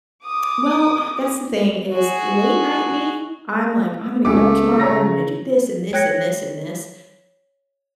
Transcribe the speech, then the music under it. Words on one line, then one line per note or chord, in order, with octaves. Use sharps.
Well, that's the thing is late night me, I'm like, "I'm gonna get up tomorrow and I'm gonna do this, and this, and this, and this,"
D6 D#6
F#4 G#4
C#2 G#3 A3 C#4 D6
C#3 C#5 A#5 A#6
C#5 G5 F#6 G#6 A#6 C#7